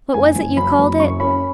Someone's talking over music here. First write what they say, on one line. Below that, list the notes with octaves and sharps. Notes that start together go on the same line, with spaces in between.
What was it you called it?
F#1 G#5
F#1
F#3 B5
F#1
F#2 C#6
C#4 B5